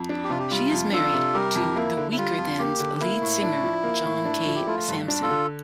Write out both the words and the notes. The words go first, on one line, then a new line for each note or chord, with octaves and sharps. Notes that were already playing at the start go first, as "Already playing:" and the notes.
She is married to The Weakerthans' lead singer, John K. Samson.
Already playing: F2
D4
G4
C3 F4
G4
G3 F4
F2
D4 F4 A4
C3
G3 G4 A#4
F2
A#3 E4
D3
E4
G3 F4
F2
A#3 G4
D3
A#3 E4
A2
D4
F3
A#3
A2
D4
F3
G4
A3 F4
G2
D4
F4 A4
D3